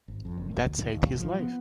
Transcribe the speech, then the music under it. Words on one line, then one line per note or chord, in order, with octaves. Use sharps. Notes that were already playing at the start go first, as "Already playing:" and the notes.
That saved his life.
G#1
F2
F#1
F#1
D2
D2
D#2
A1
F3
B3